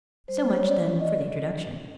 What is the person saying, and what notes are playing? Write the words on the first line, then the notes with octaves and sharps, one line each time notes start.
So much, then, for the introduction.
G3 C5
C#5
C#4 D5
D#5